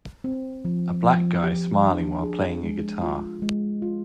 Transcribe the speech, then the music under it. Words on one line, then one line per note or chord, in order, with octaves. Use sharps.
A Black guy smiling while playing a guitar.
C4
F3
F3
G4
D4
G#4
G#3
F4
G#3
F4